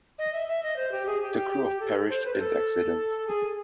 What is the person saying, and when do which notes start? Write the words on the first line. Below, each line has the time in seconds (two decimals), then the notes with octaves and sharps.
The crew of perished in the accident.
0.18 D#5
0.32 E5
0.48 E5
0.63 D#5
0.76 C5
0.91 G4
1.06 G#4
1.21 G4
1.36 G4
1.51 G4
1.65 G4
1.80 A4
2.10 C5
2.24 B4
2.34 A#4
2.39 A4
3.27 G#4